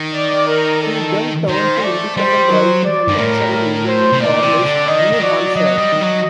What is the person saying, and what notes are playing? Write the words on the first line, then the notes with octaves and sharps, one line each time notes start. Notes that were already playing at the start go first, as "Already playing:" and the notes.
He then turned to independent writing and lecturing, living in Cornish, New Hampshire.
Already playing: D#3
D5
A#4
A4
D#3 C5
A3 D5
G3 C5
F#3
D5
G2
A2 A#4
A#4
C5
C3
A#2 D5
C3
D3
D#3 D#5
D#3
F#3 D5
F#3 D#5
G3
D#3
F#3